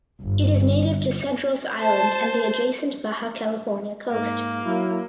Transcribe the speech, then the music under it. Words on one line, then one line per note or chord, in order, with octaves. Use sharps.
It is native to Cedros Island and the adjacent Baja California coast.
G1
C5 A5
G#2 A#3
F#3 E4